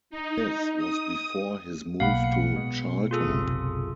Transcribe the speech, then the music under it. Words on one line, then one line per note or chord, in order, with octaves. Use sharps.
This was before his move to Charlton.
D#4
D#6
B1 B2 A#3 F5 F#5 B5
C#7
B2 G#3
F4 G#4 A4
F#1 B1 C3